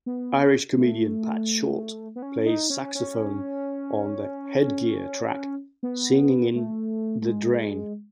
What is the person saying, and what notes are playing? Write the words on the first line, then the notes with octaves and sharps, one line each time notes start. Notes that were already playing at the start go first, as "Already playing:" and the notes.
Irish comedian Pat Shortt plays saxophone on the "Headgear" track "Singin' in The Drain".
B3
A3
B3
C#4
D#4
C#4
C#4
B3
A3
A3
G#3